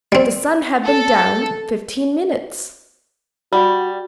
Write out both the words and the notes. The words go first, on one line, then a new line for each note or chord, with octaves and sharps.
The sun had been down fifteen minutes!
G3 C4
A4
G3 F#4